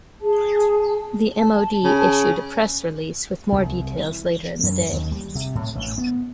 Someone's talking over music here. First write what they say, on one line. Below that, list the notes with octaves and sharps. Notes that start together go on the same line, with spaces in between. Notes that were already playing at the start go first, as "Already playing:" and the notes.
The MoD issued a press release with more details later in the day.
G#4 A5
A5
C#3
C2
E3
F#2
D#2
G3
C3
A2
A1
B3